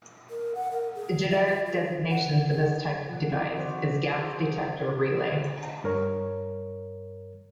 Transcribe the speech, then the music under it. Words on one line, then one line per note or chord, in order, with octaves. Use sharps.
A generic designation for this type of device is "gas detector relay".
A#4
F#5
A#4
G#4
E5
F#4
F4
F#5
G#4
F3 F#5
D#3 C4 E4 F4 D5 D#5
F#4 C5 D5 F#5
F#4 G#4 C5
G2 A#4 C#5